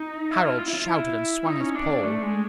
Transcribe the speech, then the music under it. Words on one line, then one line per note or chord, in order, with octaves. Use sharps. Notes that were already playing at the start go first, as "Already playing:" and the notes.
Harald shouted and swung his pole.
Already playing: D#4
E4
F4
F4
E4
F4
E4
D#4
C#4
D4
D4
A3
G#3